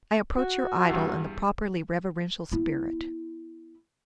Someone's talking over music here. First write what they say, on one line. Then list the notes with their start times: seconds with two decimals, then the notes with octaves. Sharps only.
"I approach your idol in the properly reverential spirit."
0.37 F#4
0.89 E2 G2
2.52 B3 E4